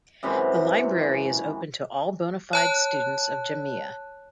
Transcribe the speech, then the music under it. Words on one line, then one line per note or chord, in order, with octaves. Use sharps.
The library is open to all bona fide students of Jamia.
F#2 C3 E3 G#3
C#5 A5 F#6